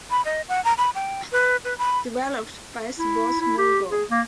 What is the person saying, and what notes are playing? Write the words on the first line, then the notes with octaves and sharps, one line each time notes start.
Developed by Sports Mogul.
B5
D#5
F#5
A#5
B5
G5
B4
B4
B5
E4
E4
G4
G#4
A#3